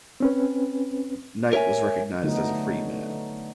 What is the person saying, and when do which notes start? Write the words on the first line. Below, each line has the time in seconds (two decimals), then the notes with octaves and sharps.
Knight was recognised as a free man.
0.20 C4 C#4 B4
1.53 A#4 C#5 E5 G#5
2.23 D3 F#3 A3 B3 D#4